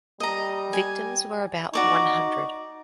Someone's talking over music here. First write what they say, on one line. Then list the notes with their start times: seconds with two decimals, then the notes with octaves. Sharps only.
Victims were about one hundred.
0.20 G3 D#5 A#5
0.73 G#5
1.73 D#4 F#4 D5 C#6